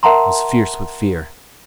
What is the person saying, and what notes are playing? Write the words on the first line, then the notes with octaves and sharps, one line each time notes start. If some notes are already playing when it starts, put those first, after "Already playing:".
I was fierce with fear.
A#4 E5 F#5 A5 A#5 C6